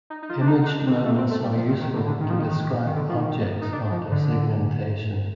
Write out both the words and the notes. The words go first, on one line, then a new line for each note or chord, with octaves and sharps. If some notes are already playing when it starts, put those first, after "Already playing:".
Image moments are useful to describe objects after segmentation.
D#4
D#4
F4
D4
D#4
D#4
D4
C4
A3
C4
A3
G3
F3
D#3
D#3
D3
D3
D#3
F3
D#3
D#3
D3
F3
D#3
D#4
D4
F3
D3